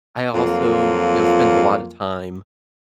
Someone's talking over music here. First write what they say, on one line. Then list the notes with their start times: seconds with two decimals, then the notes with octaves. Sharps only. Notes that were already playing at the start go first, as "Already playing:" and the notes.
I also, you know, spent a lotta time,
0.35 F2 F#3 A#3 F4